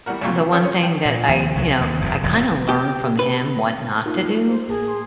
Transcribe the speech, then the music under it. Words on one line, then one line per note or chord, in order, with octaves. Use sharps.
the one thing that I you know, I kinda learned from him what not to do
E3 G3 B3 F#4 A#4
C2 A#2 G3 F4 C#6
D#3
C#4 A4 G5 E6 F6
C#4
G5
A#2
D#2 F3
C2 C#3 F#3
D#2
F1 G2 C3
E1 A1 F2 C3
G4
B4
A#3 D#4 F4
C5
A1 A#3 G#4 A5
C6